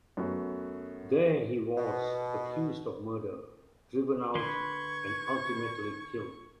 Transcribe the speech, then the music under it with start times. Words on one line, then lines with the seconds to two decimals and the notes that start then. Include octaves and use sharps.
There, he was accused of murder, driven out and ultimately killed.
0.17 F#2 A3 B3 F#4
1.77 B2
4.35 D3 B4 C6 C#6 G#6